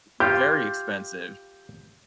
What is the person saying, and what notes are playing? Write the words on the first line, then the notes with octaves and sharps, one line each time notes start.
very expensive,
F4 G4 G6